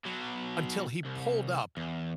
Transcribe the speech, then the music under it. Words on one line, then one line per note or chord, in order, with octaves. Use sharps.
until he pulled up?
B2 F#3
C2
E2